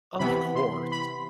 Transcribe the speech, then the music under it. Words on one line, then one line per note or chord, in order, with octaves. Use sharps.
Of course.
C3 E3 B3 B5
C6
B5